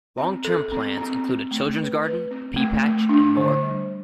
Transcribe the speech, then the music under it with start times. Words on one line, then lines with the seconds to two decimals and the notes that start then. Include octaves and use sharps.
Long term plans include a Children's Garden, a Pea Patch, and more.
0.18 C4
0.45 A4
0.72 C4
0.98 C4
1.25 C4
1.51 A3
1.77 B4
2.03 B4
2.31 C4
2.56 A3
2.83 A3
3.09 D4
3.37 D3
3.63 G3